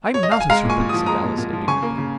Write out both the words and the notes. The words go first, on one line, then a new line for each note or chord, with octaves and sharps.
'I'm NOT a serpent!' said Alice indignantly.
C#5
D#5
F5
G#5
G#3 F5 A#5
A#2 G#5 C#6
A#2
D#6
F3
G#3 A#5 D#6
A#2
A#2
F3
C#3 G#5 C#6
A#3
C#3